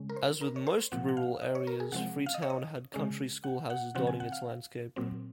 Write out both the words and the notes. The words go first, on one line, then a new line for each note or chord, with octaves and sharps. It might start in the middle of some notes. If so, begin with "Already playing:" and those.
As with most rural areas, Freetown had country schoolhouses dotting its landscape.
Already playing: C#3 G#3 C#4
A#4
C5
A#4
C#5
C5
A#2 F3 C4 F#5
F#5
F5
D#5
C#5
A#4
G#4
C3 F3 G#3 C4 F#5
F5
D#5
C#5
D#5
C#3 G#3 C#4
F#5
F#5
C#3 F3 C4 F#5
G#5
F#5
F5
A#2 F#3 C4